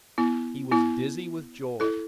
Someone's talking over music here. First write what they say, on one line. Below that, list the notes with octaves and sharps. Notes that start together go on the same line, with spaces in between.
He was dizzy with joy.
B3 E4
B3 E4
E4 A4